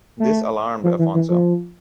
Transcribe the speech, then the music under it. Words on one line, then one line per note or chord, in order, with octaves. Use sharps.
This alarmed Afonso.
A3
F3
E3
E3
F3